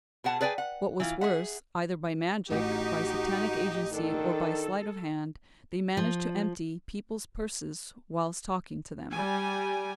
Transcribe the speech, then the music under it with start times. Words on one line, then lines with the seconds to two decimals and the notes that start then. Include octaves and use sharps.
What was worse, either by magic, by Satanic agency, or by sleight of hand, they managed to empty people's purses whilst talking to them....
0.24 B2 G#4 F#5 A5
0.41 G#4 B4 D5 G5 G#5
0.58 F#5
1.00 E3 E4 F4
1.21 G#4 E5 F#5
2.51 A1 D#4 F#4 G4
3.93 D#3 D4 A4
5.97 F3
9.12 G3 G#5